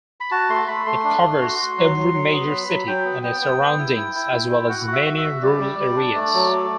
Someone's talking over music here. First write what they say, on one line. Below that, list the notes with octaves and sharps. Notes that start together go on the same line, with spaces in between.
It covers every major city and its surroundings, as well as many rural areas.
B5
F#4 A5
A3 C6
A3 B5
A3 C6
D4
A3
F#4
F#4
F#3
F#3
F#3
B3
F#3 B5
F#3
F#3 G5
B3
B3 G5
B3
B3
E4
E4
E4
E4
E4
F#4 F#5
F#4
E5
F#4
E5
F#4
G3 D5
G3
G3
D4
A3
F#3
A3